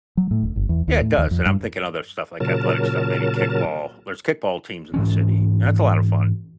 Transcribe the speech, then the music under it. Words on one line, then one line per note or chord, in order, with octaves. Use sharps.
Yeah, it does, and I'm thinking other stuff, like athletic stuff, maybe kickball. There's kickball teams in the city, and that's a lot of fun.
F#3
A2
E1
G1
E2
D#2
A2
D#2
F2
G2
A#2 C#3 F#3 A#4 A5
G#2 E3 C#4